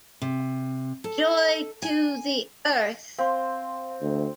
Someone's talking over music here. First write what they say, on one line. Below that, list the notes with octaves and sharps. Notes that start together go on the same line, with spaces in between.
Joy to the earth!
C3
A4
G#5
C4 F5 C6
D2